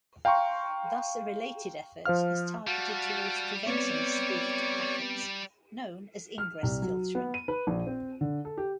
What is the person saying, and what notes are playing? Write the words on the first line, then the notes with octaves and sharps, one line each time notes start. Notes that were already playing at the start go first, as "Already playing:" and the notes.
Thus, a related effort is targeted towards preventing spoofed packets; known as ingress filtering.
F5 G5 A#5 C6 C#6
F3 C5 F5 F6
G3 F#4 F5 A5
B3 C4 B4 C#5 D5 C#6
F6
C2
F#3
B3
D#7
B4
A#1
C4
D3
A4
G4